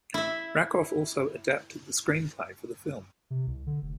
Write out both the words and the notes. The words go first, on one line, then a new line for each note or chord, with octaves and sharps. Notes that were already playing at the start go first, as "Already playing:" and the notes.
Rakoff also adapted the screenplay for the film.
E4 E5
C3
C2
D3
F1